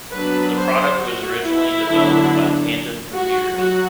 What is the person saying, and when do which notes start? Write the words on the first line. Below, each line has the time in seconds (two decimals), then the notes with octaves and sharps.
The product was originally developed by Tandem Computers.
0.14 F#3 B3 D4 B4
0.57 C5
1.00 F#4
1.42 E4
1.85 D3 F#3 B3 D4
3.14 F#4
3.57 F#3 F#4